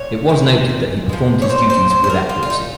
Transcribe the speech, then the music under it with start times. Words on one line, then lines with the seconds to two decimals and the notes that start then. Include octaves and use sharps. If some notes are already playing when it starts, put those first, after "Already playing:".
It was noted that he performed his duties with accuracy.
Already playing: A#2 C#5
0.29 F3 G#3
0.69 A#2
1.09 F3 G#3
1.42 C#5
1.49 A#2 C5
1.70 C5
1.90 F#3 C5
2.04 C5
2.10 A#4
2.29 A#2 F4
2.43 F4
2.50 D#4